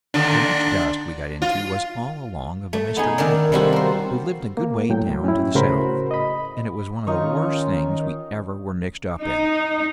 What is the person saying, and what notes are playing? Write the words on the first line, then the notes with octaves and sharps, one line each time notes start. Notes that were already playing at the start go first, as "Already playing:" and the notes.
The next dust we got into was all along of a Mr. Knightley, who lived a good way down to the south, and it was one of the worst things we ever were mixed up in.
A#2 D3 D#3 D4
F4
A3
B3 D#4 G#4
D#3 A3 D4 A4 A#4 D5
C3 D#3 G3 F4 F#4 A4
A#4 C5
A#3
A2 F#3 G5
C#4 E4
A2 C#3 F#4 A#4 C5 B5
D#5 B5
D#3 C#4 D#4 F4 C#6
D#4